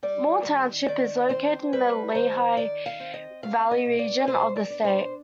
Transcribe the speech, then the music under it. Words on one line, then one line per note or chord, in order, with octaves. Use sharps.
Moore Township is located in the Lehigh Valley region of the state.
G3 D5
D#3
D#3 D5
C4 C5
G3 B4
D#3 C5
D#3 D5
F5
C4
D#5
B3 F5
D#5
B2
D5
B2 C5
D5
D4
C5